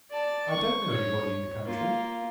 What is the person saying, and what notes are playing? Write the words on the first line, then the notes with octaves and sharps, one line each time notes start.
I don't know anybody in the country.'
D5 A5
C#6
C#5
A#3 F4